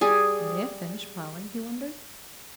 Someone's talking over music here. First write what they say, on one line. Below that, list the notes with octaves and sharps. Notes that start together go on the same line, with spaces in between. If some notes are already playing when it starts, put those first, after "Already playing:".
"Can they have finished ploughing?" he wondered.
G3 G#4